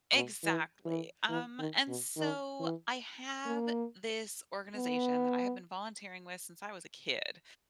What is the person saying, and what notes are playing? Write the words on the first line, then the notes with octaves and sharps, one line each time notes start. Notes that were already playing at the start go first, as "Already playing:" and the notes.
Exactly. Um, and so I have this organization that I have been volunteering with since I was a kid,
B2
E3
E3
E3
D#3
B2
D#3
E3
A#3
B3